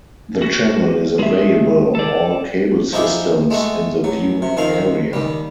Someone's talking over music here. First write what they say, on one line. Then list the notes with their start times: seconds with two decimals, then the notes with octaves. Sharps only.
The channel is available on all cable systems in the viewing area.
0.42 F#4
1.19 G#3 E5
1.95 A4 D5
2.93 F3 D#4 E4 G4 G#4
3.51 G#3 A3 F#4
4.04 A1 F#3
4.42 C3
4.57 D#3 F3 C4 F5
5.13 D#2 G3